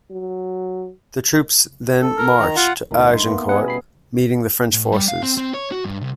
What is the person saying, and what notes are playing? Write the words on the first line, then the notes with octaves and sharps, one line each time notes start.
The troops then march to Agincourt, meeting the French forces.
F#3
A4
A#4
D#3 A#5
F4 F#5
D2 A2 D#3 A3
G2 E4 C6
A#3 B3
G3 C#4 G#4 F#5
B2 B5 C7
A2
G3
F5
C4
C4
C#5
F#4
G2
C2